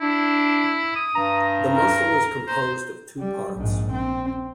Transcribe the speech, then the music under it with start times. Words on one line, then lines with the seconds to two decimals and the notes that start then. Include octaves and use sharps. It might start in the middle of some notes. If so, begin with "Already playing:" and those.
The muscle is composed of two parts.
0.01 D4 E4
0.96 D#6
1.15 G2 A#5
1.77 A#4
2.48 C5
3.19 G3
3.54 A#1 G#2
3.92 C4